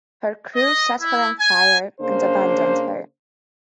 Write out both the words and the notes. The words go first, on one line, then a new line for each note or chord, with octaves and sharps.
Her crew set her on fire and abandoned her.
D#5
E4
G#5
C#3 A#3 D4 C5